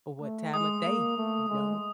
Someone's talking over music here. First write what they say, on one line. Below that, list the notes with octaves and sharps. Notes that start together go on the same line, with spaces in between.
or what time of day, you know?
A3
G#3 D#6
A#3
A3
G#3